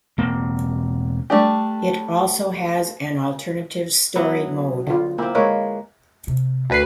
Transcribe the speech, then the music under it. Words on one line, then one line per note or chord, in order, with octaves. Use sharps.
It also has an alternative "story mode".
E1 A#3 C4
G3 A3 D4 G4
F#3 B3 E4
D3 F4
A#3 C4 E4
G#3 A#3 B4 C#5
C3
D2 B4 C7